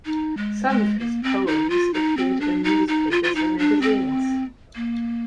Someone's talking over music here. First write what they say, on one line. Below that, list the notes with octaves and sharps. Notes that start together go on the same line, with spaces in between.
Some of his poems appeared in newspapers and magazines.
D#4
G#3
G#3
A#3
C4
D#4
F4
D#4
C4
D4
D#4
D#4
F4
F4
D#4
D4
C4
A#3